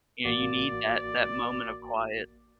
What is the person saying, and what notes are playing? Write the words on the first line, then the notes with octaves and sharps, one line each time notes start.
You know, you need that that moment of quiet.
A1 A#3 F#4 D5